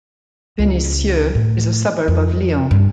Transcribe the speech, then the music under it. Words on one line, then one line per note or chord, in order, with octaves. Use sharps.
Venissieux is a suburb of Lyon.
C#2
A2
F2
G2